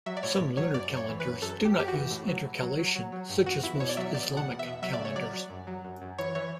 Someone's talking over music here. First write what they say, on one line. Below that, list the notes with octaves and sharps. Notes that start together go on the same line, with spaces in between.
Some lunar calendars do not use intercalation, such as most Islamic calendars.
F#3 E5
D5
A2 C#5
A2
F#3 C#5
F#2 D5
F#2
C#5
E3
B4
F#2
F#2 A4
F#2
G4
F#2 G4
F#4
E3
A2
F#3
A2
F#3
F#3
F#3
F#3
G2
E2 F#4
E2 E4
B2 C#5
D5
F#3 E5
E2 D5
B2
F#5
E2
E5
B2
F#3 E5
D5
C#3
C#5
F#3 D5
F#3
F#2
F#3
F#2
F#2
E3 C#5
E3 C#5